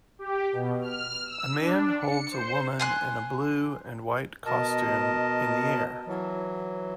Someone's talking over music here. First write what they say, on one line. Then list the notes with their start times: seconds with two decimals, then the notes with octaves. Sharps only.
A man holds a woman in a blue and white costume in the air.
0.19 G4
0.52 B2
0.82 F6
1.25 E6
1.59 D4
2.00 C#7
2.31 C5
2.79 G#5 C6 F#6
4.46 B2 A#4 D#5 A5
6.07 E3 F#3